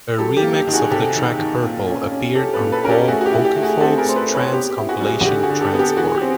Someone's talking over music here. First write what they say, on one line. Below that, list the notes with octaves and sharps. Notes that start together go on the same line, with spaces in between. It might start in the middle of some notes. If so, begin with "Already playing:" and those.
A remix of the track "Purple" appeared on Paul Oakenfold's trance compilation "Tranceport".
F#3 G4 A4
G4
A#3
G4
D#3
F#4 G#4
C3 G4 A4
D#3
D#3
A#2
C#4
C#4
C#4 G4 A4
A4 B4
A#2
A4 B4
C#4 A#4
G4 A4
A3 F#4 G#4
F#4
G4
E4
G4
A3
F#4 G#4
C4 G4 A4
G#4 A#4
A3 C5
A4 B4
C4
B4 C#5
B3 G4
G4
E4
F#4 G#4
G3
F#4 G#4
F#4
D3 G4
F#4 G#4
D3
G4 A4
B3
G4 A4
E3 F#4 G#4
G4
C4